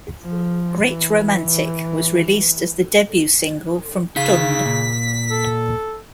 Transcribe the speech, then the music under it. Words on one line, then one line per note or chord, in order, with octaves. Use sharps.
"Great Romantic" was released as the debut single from "Tunde".
F3
E3
C#3 D#4 F5 B6
A#2
A4